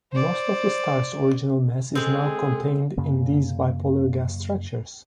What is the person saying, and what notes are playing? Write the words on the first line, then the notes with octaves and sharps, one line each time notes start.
Most of the star's original mass is now contained in these bipolar gas structures.
C5 D5
G#3 C4 G#4 A4
F#2 C#3 A#3